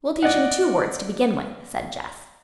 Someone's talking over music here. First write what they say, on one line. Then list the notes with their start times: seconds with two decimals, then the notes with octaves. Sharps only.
"We'll teach him two words to begin with," said Jess.
0.22 D5 D#5 F#5